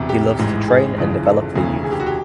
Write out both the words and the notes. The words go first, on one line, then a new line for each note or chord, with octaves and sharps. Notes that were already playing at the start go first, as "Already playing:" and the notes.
He loves to train and develop the youth.
Already playing: E1 E2 C3
G4
A1 G#2 E3
G#4
G1 F2 C#3 E3
A4
E1 D2 C#3 E3
G#4
G4
F#4
G4